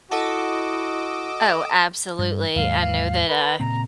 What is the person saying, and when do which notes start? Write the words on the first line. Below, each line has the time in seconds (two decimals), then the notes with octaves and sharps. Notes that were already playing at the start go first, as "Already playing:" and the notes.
Oh, absolutely. I know that, uh,
0.11 E4 F#4 A4 D#5 F#5 A5 D6 E6
2.19 G2
2.56 D#2 G#2 F#3 F5
3.28 B4
3.60 A#2 C#3 C4 A#5